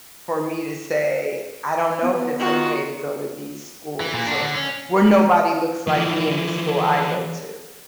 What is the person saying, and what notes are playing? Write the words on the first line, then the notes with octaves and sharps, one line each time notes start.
for me to say, "I don't know if it's okay to go to these schools or where nobody looks like me in the school I go to."
B3
D#3 F4 F#4
E3
A#2
D4 F#4
D3
C#4
E3 F3